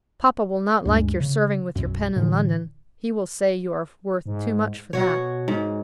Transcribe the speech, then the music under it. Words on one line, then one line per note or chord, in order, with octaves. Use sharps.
"Papa will not like your serving with your pen in London: he will say you are worth too much for that."
D2 G2 G#3
C#3
B1 F#2
A2 D3 E3
G#2
B2 F#4 C#5
G#2